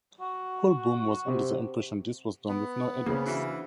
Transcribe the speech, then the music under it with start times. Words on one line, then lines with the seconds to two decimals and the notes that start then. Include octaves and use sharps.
Hoolboom was under the impression this was done with no edits.
0.21 F#4
1.26 C3
2.49 B3
3.06 C#3 A#3 C4 C#4
3.26 E3 D4 F#4 E5